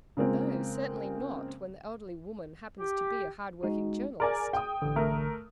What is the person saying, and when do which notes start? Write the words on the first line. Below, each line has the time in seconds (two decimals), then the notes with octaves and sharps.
'No, certainly not, when the elderly woman happens to be a hard-working journalist.'
0.17 C#3 G#3 A#3 C4 F4
2.80 G4
3.63 G#3 D#4 F#4
4.20 G#4 A#4 D5 G#5
4.53 G5 D#6
4.82 A1 D3
4.96 A3 A#4